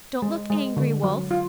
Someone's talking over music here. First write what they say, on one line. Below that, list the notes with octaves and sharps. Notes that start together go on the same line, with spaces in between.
Don't look angry, Wulf.
G#3
G#3
D3
F#3
F4